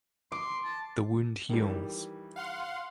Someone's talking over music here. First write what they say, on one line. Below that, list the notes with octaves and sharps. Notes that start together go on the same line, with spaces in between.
The wound heals.
C6 D6
A5
D#3 E3 G3
F5 F#5 C6